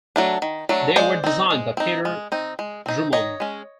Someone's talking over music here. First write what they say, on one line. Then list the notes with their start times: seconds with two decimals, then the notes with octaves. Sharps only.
They were designed by Peter Drummond.
0.16 F#3 A3 D4
0.42 D#3
0.69 F#3 A3 D4
0.96 G#3 C5 D5
1.24 C4 D#4
1.50 G#3
1.77 C4 D#4
2.05 G#3
2.32 C4 D#4
2.59 G#3
2.86 C4 D#4
3.12 D#3 C#5 D#5
3.40 G#3 C#4